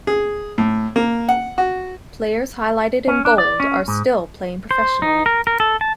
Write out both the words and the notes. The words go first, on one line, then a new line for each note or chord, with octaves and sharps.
Players highlighted in bold are still playing professionally.
G#4
A2
A#3
F#5
F#4
C#4
D4
D5
C#4
G#2
C5
D#4
A#4
A#4
A4
A5